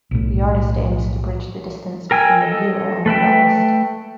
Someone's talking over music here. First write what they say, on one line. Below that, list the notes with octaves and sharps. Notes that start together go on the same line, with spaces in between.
The artist aims to bridge the distance between the viewer and the artist.
B1 A2
A#4 G5 G#5 E6
A4 D#5
A3 B4 E5 G5